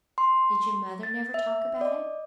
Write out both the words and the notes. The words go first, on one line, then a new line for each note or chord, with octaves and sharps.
"Did your mother never talk about him?"
C6
A6
E5
D5 D#5